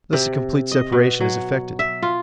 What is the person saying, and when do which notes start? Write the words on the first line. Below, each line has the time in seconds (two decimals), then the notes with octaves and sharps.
Thus a complete separation is effected.
0.13 C3
0.72 D#5
0.92 B2
1.20 F#3
1.79 E5
2.02 F4